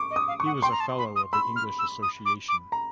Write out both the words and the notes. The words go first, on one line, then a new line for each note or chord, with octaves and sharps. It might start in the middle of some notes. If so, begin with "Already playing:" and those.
He was a Fellow of the English Association.
Already playing: C#6 D6
D#5
D#6
F5
C#6
F#5
G5 C6
A#5
A5
B5
D#6
B5 E6
F6
E6
D#6
D6
D6
A#5